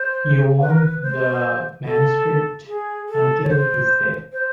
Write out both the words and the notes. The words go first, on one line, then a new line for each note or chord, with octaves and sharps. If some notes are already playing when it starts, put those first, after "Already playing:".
He owned the manuscript until his death.
Already playing: C5
B4
A#4
B4
C5
A4
G#4
A4
C#5
C5
C5